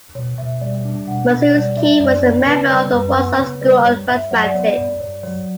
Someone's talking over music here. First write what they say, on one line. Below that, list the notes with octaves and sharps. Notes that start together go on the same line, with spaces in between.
Marczewski was a member of the Warsaw School of Mathematics.
B2 C#5
B2 E5
G3
D4
B2 F#5
B2
C#5
G3 D5
D4 E5
F#2 D5
B3 C#5
C#3 B4
G3 C#5
F#2 B4
B3
C#3 C#5
G3 B4
G2 C#5
G2 E5
F#3 F#5
D5
B3 C#5
D5
G2 D5
G2 C#5
F#3 C#5